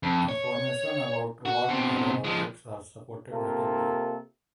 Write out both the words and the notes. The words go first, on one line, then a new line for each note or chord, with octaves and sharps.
Information about what other objects are supported natively.
F2
C#5
F#4
B2 C4
F3 G#3
C3 A#3 F4 A4